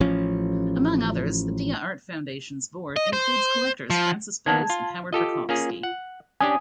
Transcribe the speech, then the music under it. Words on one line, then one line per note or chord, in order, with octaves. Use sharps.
Among others, the Dia Art Foundation's board includes collectors Frances Bowes and Howard Rachofsky.
A1 F3 C#4
D#5
C5
F3
D#3 A#3 B3 A5 G#6
F4
F4 G4 A4 D#5
A#3 C#4 G#4
F#5
C#4 D4 G4 G#5 D#6